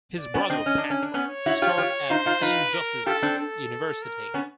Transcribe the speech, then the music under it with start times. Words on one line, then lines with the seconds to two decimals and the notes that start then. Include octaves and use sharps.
His brother, Pat, starred at Saint Joseph's University.
0.18 D5
0.34 B3 C#4
0.50 C4 D4 D#5
0.66 C#4
0.78 D4
0.90 C#4
1.03 D4
1.14 B3 C#4 C#5
1.46 E4 F#4
1.62 F4 G4
1.78 F4 G4
2.10 D#4 F4 C5
2.26 D#4 F4
2.42 D#4 F4 B4
2.74 A#4
3.06 F4 G4 A4
3.22 C4 D4
3.38 A4
4.02 A#4
4.34 B3 C#4